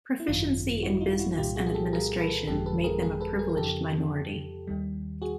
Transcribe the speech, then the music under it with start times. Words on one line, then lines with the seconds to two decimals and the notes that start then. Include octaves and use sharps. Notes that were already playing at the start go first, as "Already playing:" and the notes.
Proficiency in business and administration made them a privileged minority.
0.20 E4
0.27 G#1 F#2 D#3 D#4 F4
0.83 E4 F#4
1.01 D#4 F4
1.19 E4 F#4
1.37 C2 A#2 G3 F4 G4
1.56 F#4 G#4
1.66 G#4
1.74 G4 A4
1.93 G#4 A#4
2.20 A4 B4
2.47 G1 F2 D3 F3 G#3 G4 A4
2.66 A4 B4
2.84 G#4 A#4
3.02 G#4 A#4
3.21 A4 B4
3.39 G#4 A#4
3.49 A#4
3.57 F2 C#3 F3 G4 A4
4.67 D#2 D#3 G3
5.22 F#4 G#4